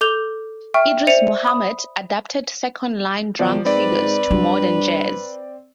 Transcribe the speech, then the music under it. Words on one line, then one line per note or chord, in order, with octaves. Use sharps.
Idris Muhammad adapted second line drum figures to modern jazz.
A4 D6 G6 F7 G7
E5 G5 C#6 F6
C5 D5 E5 C#7 D#7 F7
B5 D#6
B2 D#3 F3 D5
G#2 C4 B4 D5
G2 F4